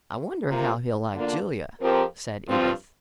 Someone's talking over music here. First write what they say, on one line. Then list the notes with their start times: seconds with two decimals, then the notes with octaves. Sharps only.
"I wonder how he'll like Julia," said Edith.
0.48 C3 A#3 F4 A#4
1.14 D3 A#3 D4 F4
1.81 F2 F3 C4 G4 A#4
2.47 G2 F3 C4 F4